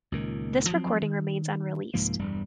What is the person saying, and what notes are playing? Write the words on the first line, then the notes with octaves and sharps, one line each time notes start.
This recording remains unreleased.
C#2 A#2 D#3
F3 F#3 C4
D#3
C2 G#2 F3 A#3
E1 G2 G3